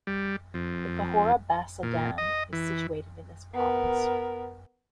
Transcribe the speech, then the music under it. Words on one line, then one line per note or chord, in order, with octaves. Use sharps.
The Cahora Bassa Dam is situated in this province.
G3
F2
A#2
D#5
E3
B3 A#4